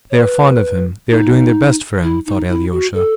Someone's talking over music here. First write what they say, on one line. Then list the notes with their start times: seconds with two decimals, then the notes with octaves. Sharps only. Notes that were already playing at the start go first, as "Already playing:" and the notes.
"They are fond of him, they are doing their best for him," thought Alyosha.
0.10 C#5
0.19 B4
1.11 D#4
2.03 E4
2.26 D#4
2.49 E4
2.71 F#4
2.94 A4